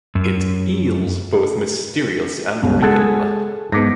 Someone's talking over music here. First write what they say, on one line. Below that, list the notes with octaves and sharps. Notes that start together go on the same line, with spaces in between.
It eels both mysterious and real.
F#2
G1 C#2
G#3 G#4 A4 F#5
G#2 B3 D6 A#6